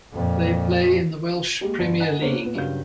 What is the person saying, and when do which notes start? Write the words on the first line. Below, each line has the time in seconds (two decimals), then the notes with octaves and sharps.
They play in the Welsh Premier League.
0.13 F2 A#2
1.61 G3 G#3 A#3
1.79 G1
2.00 D#5 F#5 G#5 A#5 F#6
2.21 A#3 B3 C#4 D4 G#4 C5
2.42 A#2 B3
2.55 G2 C#3 F#3 A#4 F5 G6